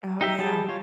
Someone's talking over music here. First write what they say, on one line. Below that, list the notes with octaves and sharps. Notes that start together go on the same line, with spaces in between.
Oh, yeah.
D#4 G4 E5
G3 G4 G#4 A5
F4 C#5